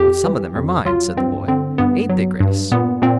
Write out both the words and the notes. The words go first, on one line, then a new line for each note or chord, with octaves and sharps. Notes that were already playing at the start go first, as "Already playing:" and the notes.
"But some of them are mine," said the boy; "ain't they, Grace?"
Already playing: F2 G4
E3
F2
F#3 F4
G2 C4
D3 C4
G2 B3
F#3
G2
A#2 B3
A#2 C4